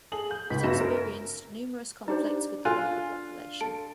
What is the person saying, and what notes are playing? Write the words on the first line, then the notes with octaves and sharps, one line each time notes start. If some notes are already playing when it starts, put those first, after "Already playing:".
It experienced numerous conflicts with the local population.
G#4 A4 F#7
G6
C#2 G#2 F4 B6
F#2 B3 D#5 A#6 E7
A#4
D4 D#4 G4 C5
F4 A4 G#5 F#6
A4 D7